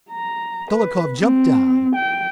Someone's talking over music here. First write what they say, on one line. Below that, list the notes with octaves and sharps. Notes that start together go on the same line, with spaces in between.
Dolokhov jumped down.
A#5
B4
C4
G5